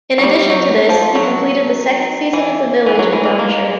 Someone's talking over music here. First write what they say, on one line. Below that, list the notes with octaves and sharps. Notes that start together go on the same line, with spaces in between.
In addition to this, he completed the second season of "The Village" in Derbyshire.
F#3
G3
F#3
F3
F#3
E3
E3
F#3
E3
E3
A#3